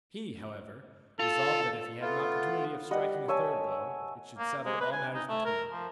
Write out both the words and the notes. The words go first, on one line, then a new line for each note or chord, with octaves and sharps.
He, however, resolved that if he had an opportunity of striking a third blow, it should settle all matters between them.
F4 A4
A3 B3 F4
G3 D#5 F#5
C#5 E5 G#5 A5
A#3
G#3
B4
G#5
D#4
A3
A#4
F3